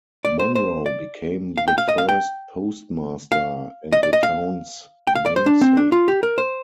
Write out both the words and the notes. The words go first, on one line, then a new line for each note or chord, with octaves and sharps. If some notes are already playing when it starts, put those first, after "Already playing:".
Monroe became the first postmaster and the town's namesake.
D5
C5
C5
D5
F5
G5
F5
D#5
F5
G5
F5
D#5
D5
D#5
F5
G5
F5
D5
C5
D4
C4
D4
F4
G4
A#4
C5